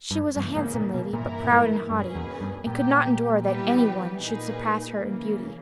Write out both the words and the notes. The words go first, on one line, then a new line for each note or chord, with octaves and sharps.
She was a handsome lady, but proud and haughty, and could not endure that any one should surpass her in beauty.
G2
G2 C#3 E3 A#3
G#2
A#2
B2
G2 A#2 E3 A#3 E4 A#4
A#2
G#2
G2 B2 A#3 C#4 G#4 B4
E2
G2
A#2 G3 B3 G4
E3 G3 B3 G4 B4
A#2 A#3 D#4 G#4 B4
C#3 E3 A#3